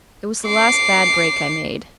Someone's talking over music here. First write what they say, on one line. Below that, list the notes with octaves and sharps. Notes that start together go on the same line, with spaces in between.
It was the last bad break I made.
D6 C7